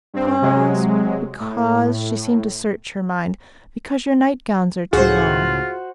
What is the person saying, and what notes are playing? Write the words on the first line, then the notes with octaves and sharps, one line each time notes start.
"Because--because"--she seemed to search her mind--"because your night-gowns are too long."
G2 C4
C3 F#3 G#3
A2
C#2 A2 C#3 F4 F#4 G#4 C5